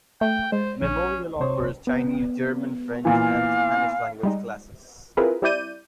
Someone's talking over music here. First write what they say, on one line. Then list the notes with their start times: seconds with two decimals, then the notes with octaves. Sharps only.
Memorial offers Chinese, German, French and Spanish language classes.
0.21 A3 G5
0.52 G#3 C5
0.82 A#1 C#4
1.40 C3 C5 C#5
1.87 B3
3.05 A#2 E3 F5
4.23 G3 G#3 D#4
5.17 C4 E4 F4 G#4 A#4 B4
5.42 G3 C4 E4 D5 G6 D#7